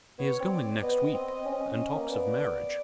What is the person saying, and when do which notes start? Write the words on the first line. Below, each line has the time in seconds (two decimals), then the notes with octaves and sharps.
"He is going next week, and talks of marriage."
0.19 B3 C#5
0.40 C4
0.51 D5
0.82 B3 D#5
1.14 C4
1.45 C#4
1.54 C4
1.61 C#4
1.97 A#3
2.09 B3 D5